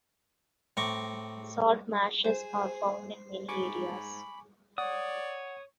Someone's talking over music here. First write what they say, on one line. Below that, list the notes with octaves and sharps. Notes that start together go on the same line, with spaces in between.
Salt marshes are found in many areas.
A2 C4 A#5 C#6 D6
G#4 C5
G#2 G#5 B5 C#6 D6
C#5 D5 F#5 D#6